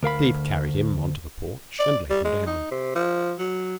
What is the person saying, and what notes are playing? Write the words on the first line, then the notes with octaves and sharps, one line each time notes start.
Steve carried him on to the porch and laid him down.
D2 A#4 F5 B5
D5
G3
G#3
D#4
C3
F3
F#3